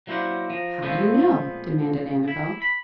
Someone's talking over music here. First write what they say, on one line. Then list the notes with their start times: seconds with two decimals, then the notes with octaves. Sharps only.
"How do you know?" demanded Annabel.
0.07 F#3 A#3 E4 C5 D5 F#5
0.50 F3 A#4
0.82 A#2 F3 G#3 A3 B3 C4
2.28 E4
2.62 B5